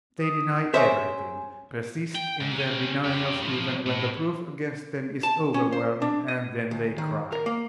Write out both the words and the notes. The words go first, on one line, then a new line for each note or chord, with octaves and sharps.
They deny everything, persist in their denials even when the proof against them is overwhelming, and then they cry.
D#6
C#4 G#4 C5 E5 G#5
G5
G#2
C#4 G5
F2 G4
A2 F3
A2
A5
C#4
C5
D4
D#5
D2
D#3
A#4
A#3